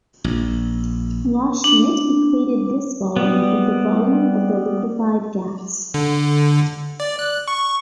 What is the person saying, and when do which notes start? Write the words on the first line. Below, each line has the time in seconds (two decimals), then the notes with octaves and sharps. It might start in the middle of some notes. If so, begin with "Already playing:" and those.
Loschmidt equated this volume with the volume of the liquified gas.
0.24 A#1
1.64 D4
3.16 G3 B3
5.94 D3
7.00 D5
7.19 F#6
7.48 C#6